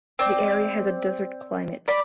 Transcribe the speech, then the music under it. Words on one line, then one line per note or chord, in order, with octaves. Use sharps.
The area has a desert climate.
C4 D5
D5 B5